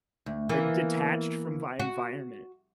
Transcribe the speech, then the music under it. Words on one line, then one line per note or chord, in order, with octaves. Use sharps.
like, detached from my environment.
D2
E3 A#3 B3
F#4